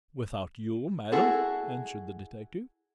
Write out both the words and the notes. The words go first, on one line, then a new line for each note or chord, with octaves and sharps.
"Without you, madam?" answered the detective.
E4 F#4 G#4 A4